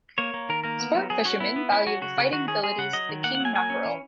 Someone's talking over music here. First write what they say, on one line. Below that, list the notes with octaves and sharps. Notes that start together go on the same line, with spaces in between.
Sport fishermen value the fighting abilities of the king mackerel.
A#3 C#5
A#3
D#3 A#4
A#3 A#4
B3
F#3
F#3 G#4
C#4 F#4
B3 E4
B3
C#4 E4
F#3 F#4
C#3 F#4
C#3
D#3 F#4
C#4 G#4
G#3 G#4
C#3 F#5
F#3 D#5
D#3
A#3 F#5
F#5
F#3 G#5
A#3 G#5
C#4
E3